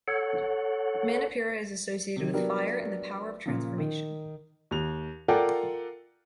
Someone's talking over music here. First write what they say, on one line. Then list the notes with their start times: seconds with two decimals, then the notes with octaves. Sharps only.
Manipura is associated with fire and the power of transformation.
0.08 A4 C#5 F#5
2.16 C3 D#3
2.33 F#3 B3 D4 G4 A#4
3.46 A#2 C#3 F3
3.78 D#3
4.71 D#2 F7
5.28 F4 A4 A#4 D5 F#5 G5